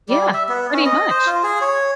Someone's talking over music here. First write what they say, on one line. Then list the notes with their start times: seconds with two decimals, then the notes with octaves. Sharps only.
Yeah, pretty much.
0.09 G3
0.34 E5
0.49 B3
0.73 C#4
0.86 D#5
1.10 C5
1.26 F4
1.43 G#4
1.61 C#5